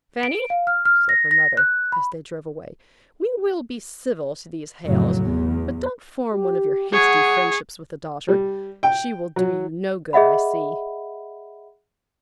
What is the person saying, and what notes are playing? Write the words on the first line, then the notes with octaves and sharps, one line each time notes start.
'Fanny!' said her mother, as they drove away, 'we will be civil to these Hales: but don't form one of your hasty friendships with the daughter. She will do you no good, I see.
D7
F5
F6
F6
A#6
A#6
F#6
B5
F1 F2 A2 C#3 F#3
E2
G4
G#4 C#5 F#5
G3
G5
F#3
G#4 D#5 E5 F#5 B5